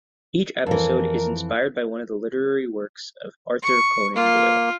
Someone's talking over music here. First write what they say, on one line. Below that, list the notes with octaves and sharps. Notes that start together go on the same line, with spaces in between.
Each episode is inspired by one of the literary works of Arthur Conan Doyle.
F2 E3 A#4
C#6
A#3 F4